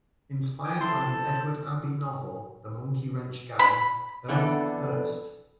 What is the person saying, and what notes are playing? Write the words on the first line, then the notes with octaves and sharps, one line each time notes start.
Inspired by the Edward Abbey novel "The Monkey Wrench Gang", Earth First!
G5 G#5 D6
E4 A4 C5 A5 C6
B5
F2 D3 E3 B3 A4